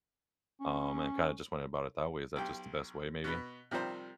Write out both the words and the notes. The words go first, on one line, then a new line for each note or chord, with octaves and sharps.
Um, and kinda just went about it that way. Is that just the best way maybe?
C#4
B1 G4
B2 B4
C3 D#3 F3 G3 C5